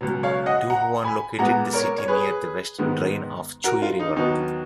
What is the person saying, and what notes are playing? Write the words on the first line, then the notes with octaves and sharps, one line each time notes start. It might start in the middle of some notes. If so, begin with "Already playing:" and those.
Du Huan located the city near the western drain of the Chui River.
C#2 B2 F#3
C#5 F5
D#5 F#5
F#5 A#5
G#5 B5
A#2 G#3 B3 F#5 A#5
A#4 C#5
C#5
G#4 B4
G#2 D#3 G#3 B3
F#4 A#4
F4
D#4
D#2 D#3 F#3 B3 D#4